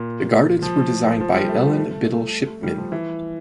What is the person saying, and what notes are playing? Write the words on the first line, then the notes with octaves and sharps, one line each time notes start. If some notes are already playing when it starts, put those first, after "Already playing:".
The gardens were designed by Ellen Biddle Shipman.
Already playing: A#2
F3
F3
G3
A3
A3
G3
F3
E3